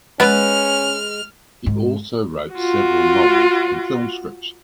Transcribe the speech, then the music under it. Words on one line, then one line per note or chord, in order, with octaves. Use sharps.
He also wrote several novels and film scripts.
G#3 B3 C#4 B4 F6
G#2
F4 F#4